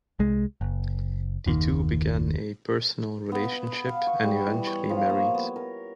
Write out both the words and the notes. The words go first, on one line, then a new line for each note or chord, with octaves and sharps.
The two began a personal relationship and eventually married.
C2 G#3
F#1
F#1 D#2 D#3
B3
B5
B5
F5
C#6
G3
E3
C#5
F3
A#3
B3
A#4